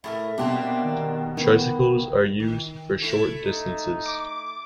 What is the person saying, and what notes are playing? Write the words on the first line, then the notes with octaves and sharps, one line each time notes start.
Tricycles are used for short distances.
A2 G#4 A#4 E5
B2 G3 A#3 C4 D4
D#3
D#3 A#3 B3
D#3
A3 E4
D#4
D6